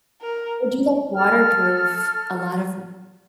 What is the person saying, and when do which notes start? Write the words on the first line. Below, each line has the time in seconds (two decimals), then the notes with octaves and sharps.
Or do like waterproof, a lot of
0.21 A#4
1.15 A4 F6